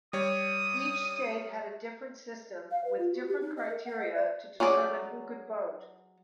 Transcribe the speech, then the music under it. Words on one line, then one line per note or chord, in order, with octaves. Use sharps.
Each state had a different system, with different criteria to determine who could vote.
G3 C#5 D#6
F5
B4
F4
F#4
G4
D#4
D#5
A#4
F#5
D#5
D5
F#3 C#4 G#4 D5